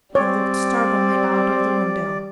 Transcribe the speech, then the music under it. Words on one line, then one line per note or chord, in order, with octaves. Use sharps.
He looked stubbornly out of the window.
G3 C4 C#5 D5